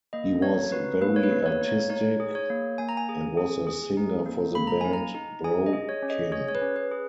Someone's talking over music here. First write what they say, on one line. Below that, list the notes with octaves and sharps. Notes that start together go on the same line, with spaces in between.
He was very artistic and was a singer for the band Bro-kin.
A#3 D#5
D#4 C#5
F#4 B4
A#3 B4
C#5
B4
A#3
C#5
D#4
C#5
D#4 C#5
G#4
C#5
A#3
A#3 G#5
A#5
G#5
G#4
G#4
G#4
D#4
A#3
A#3 B5
A#5
D#4 G#5
A#5
D#4
G#4 G#5
D#5
G#4
C#5
C#4
D#5
G#4 C#5
C#5
B4
C#4
B4
G#4